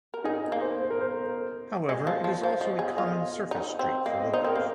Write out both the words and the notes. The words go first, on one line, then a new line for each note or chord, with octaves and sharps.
However, it is also a common surface street for locals.
A#4
D#4 G#4
D#5
A#3
C5
C5
A#4
C5
G#3 D#5
F3
F3
F3 C5
F3 D#5
G#4
F4 D#5
D#4
C4
A#3 D#5
D#5
D#4 C5
C4 A#4
A#3